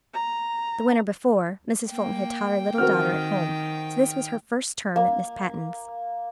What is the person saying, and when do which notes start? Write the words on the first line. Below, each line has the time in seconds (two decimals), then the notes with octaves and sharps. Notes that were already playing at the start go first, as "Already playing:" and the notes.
The winter before, Mrs. Fulton had taught her little daughter at home; so this was her first term at Miss Patten's.
0.14 A#5
1.90 A#3 G5
2.78 D#3 C4 F#4 A#4 F6
4.96 A#3